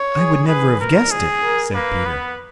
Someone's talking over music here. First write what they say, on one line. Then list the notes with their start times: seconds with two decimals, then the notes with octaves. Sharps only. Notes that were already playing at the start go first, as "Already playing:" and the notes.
"I would never have guessed it," said Peter.
Already playing: C#5
0.18 G#4
0.48 G#4 B4
0.80 A#4
1.11 G#4
1.42 A#4
1.74 A#3 B4
2.06 B3